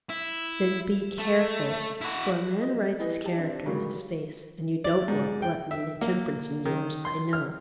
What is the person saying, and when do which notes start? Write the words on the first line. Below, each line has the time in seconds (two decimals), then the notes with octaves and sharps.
'Then be careful; for a man writes his character in his face; and you don't want gluttony and intemperance in yours, I know.'
0.09 E4
1.19 A3
2.01 E4 F#4
2.61 D#5
2.99 E3 B4 D#5
3.24 G4 A5
3.37 C4 D4
3.66 G#2 C#3 F#3 G3 A#3
4.84 D5
5.08 G#2
5.42 G5
5.71 E5
6.02 A#3
6.65 D#3
7.05 C6
7.33 F6